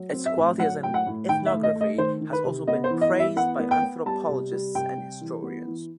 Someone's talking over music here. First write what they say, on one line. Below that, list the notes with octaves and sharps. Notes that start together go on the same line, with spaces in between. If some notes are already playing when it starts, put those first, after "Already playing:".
Its quality as an ethnography has also been praised by anthropologists and historians.
Already playing: F#3
C4
E5
A2
F#3 F#5
A2 G5
F#5
A2
D#3 G5
E5
A3
D#5
A3
D#5
D#3 C5
D#3
B4
C3
B3 D#5
C5
E3
D#5
E3
E5
B3 F#5
B3
G5
B3
G3 A5
C3
G3
C3 G5
G3
E3
B3
E3